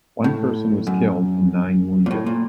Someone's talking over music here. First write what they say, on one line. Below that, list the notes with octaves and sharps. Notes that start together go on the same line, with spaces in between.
One person was killed and nine wounded.
A2
F#2
A#2
A2
A#2